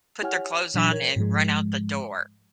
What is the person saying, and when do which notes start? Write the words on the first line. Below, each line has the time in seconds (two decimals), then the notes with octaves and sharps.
put their clothes on, and run out the door,
0.22 E4 G4 C#5 F#5 G#5 F6
0.74 A#2 E3 F#3 D4 G5 B6
0.91 A#4 C#5 G#6
1.16 G#2 F3 G#3